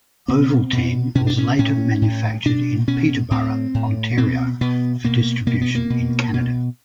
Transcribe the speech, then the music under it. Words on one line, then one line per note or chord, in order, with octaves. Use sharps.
Ovaltine was later manufactured in Peterborough, Ontario for distribution in Canada.
B2 C4
B2
B2 C#4
D4
C#4
A2 C#4
A2
B2 D4
B2 C#4
A2 C4
A2
B2 C4
B2 B3
B2 A#3
B2 A#3
B3
A#3
B2
B2